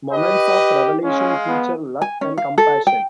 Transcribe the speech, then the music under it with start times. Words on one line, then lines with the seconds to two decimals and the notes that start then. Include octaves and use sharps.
Moments of revelation feature luck and compassion.
0.12 G4 B4 D#5
1.04 G#3 C#4 F5
1.48 B3
2.02 G#5
2.21 C#4
2.37 F5
2.58 A4
2.87 G5